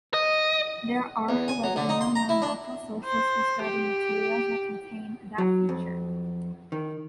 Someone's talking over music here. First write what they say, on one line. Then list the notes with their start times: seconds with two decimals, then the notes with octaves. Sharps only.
There are however no known natural sources for starting materials that contain that feature.
0.14 D#5
1.29 E2
1.48 G#5
1.64 F#3
1.76 D3
1.89 D#4
2.01 C6
2.15 A#5
2.29 E4
2.42 D4
3.04 C5
3.64 G4
5.38 F#3
5.69 F2
6.72 D#3